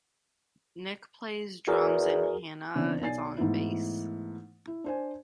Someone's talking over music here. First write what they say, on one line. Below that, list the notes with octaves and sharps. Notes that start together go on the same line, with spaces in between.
Nick plays drums, and Hannah is on bass.
E2 F#4 G#4 A#4
C#3 E3 B3 C4 D4
B1 D5 G#5 A6 C7
G#2 E3 A3 B3 E4
E4
D4 C5 G#5